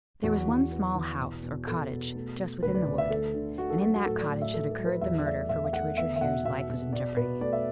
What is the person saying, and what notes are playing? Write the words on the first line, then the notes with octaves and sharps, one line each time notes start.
There was one small house, or cottage, just within the wood, and in that cottage had occurred the murder for which Richard Hare's life was in jeopardy.
E2 F#4
E3
B3
E3
B2
B2
B2 A4
B2
A3
A3
D2 B4
D5
D2 D5
E5
A3 A4
D3
A3 F#4
A4
F#3 A4
F#4
A2 A4
D5
A2
E5
A3 A4
A4
F#3
B4
E2 E5
D5
A3 E5
E2 E5
E5
A3 F#5
B3 E5
E5
B2 F#5
B2 E5
B2
B2 D5
B2 B4
A3 D5
E5